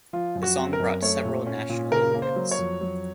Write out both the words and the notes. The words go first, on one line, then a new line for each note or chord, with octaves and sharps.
The song brought several national awards.
F3 F4
F#2
F#4
C4
A#4
F#2
A3 C#5
A#2
C#4
A#2
C#3 A#4
A#3
C5
F#3
C#5
F2
F#3